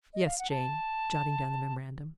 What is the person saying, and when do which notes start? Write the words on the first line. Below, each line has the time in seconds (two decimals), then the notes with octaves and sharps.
"Yes, Jane," jotting down the memorandum.
0.14 D#5
0.26 F5
0.39 F#5
0.50 A5